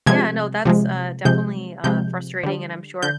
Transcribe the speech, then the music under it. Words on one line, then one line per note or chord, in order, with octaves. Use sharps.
Yeah, no. That's, uh, definitely, uh, frustrating, and I'm sure,
C3 F3 G#3 G#6
C3 F3 G#3
C3 F3 G#3 G6
C3 F3 G#3 G6
D3 G3
D3 G6